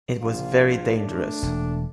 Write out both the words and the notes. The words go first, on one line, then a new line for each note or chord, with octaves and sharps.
It was very dangerous.
A#1 F4
A3 D4
E1